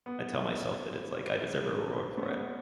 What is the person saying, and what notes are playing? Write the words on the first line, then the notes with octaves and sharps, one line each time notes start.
I tell myself that it's like, "I deserve a reward for it."
B3
A3
B3